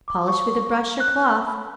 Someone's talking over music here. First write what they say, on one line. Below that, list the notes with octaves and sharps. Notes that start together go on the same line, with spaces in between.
Polish with a brush or cloth.
D6
C#6
F#6
B5